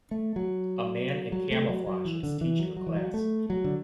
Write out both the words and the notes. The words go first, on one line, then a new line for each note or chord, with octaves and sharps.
A man in camouflage is teaching a class.
A3
F#3
F#3
A3
F#3
F#3
E3
D3
E3
F#3
F#3
E3
F#3
A3
F#3
D3